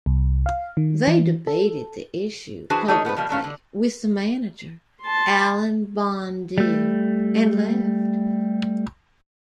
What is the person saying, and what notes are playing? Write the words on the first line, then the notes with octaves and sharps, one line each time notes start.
They debated the issue publicly with the manager, Alain Bondue, and left.
C2
F5
D#3
E3
A4
E3 D4 F#4 G#4 B4 C5
A3 D#4 G#4 A#4 C#5
A2 B3 E4 B4
B2 F3 G3 A#3
F#3 A3 C#4 F5
D3
A5 C6
G3 A3